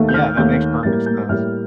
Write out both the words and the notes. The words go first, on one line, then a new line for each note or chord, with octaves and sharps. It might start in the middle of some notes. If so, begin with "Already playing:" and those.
Yeah, that makes perfect sense.
Already playing: D#2 D#3 A3
G6
F6
D#2 D#3 A3 G6
A2 G3 A#3 A6
G6
A2 G3 A#3 F6